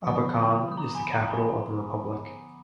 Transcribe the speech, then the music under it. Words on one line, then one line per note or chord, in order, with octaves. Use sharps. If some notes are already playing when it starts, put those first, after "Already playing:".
Abakan is the capital of the republic.
D3 F3 B3 B5 D#6
D#6
A#5 D6
G#5 B5
F#5 A#5
G#5 B5